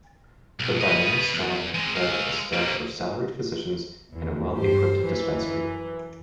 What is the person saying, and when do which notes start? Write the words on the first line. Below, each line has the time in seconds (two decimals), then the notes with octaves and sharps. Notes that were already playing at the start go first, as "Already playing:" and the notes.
The bimaristan had a staff of salaried physicians and a well equipped dispensary.
0.60 B1
0.81 B4 D#5
1.34 E2
1.74 G#3 C4
1.96 G#3 F5
2.53 G3 A#3
4.11 E2
4.56 G2 G4 C5
5.02 F#2 E3